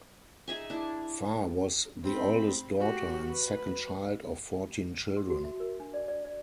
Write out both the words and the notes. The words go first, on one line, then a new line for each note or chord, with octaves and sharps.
Far was the oldest daughter and second child of fourteen children.
D#4 G#4 E5 G#5
D4 E4
C4 B5
F#4 G4
B4
C6
F#4
E5
A#4
D4
D5
D5
D5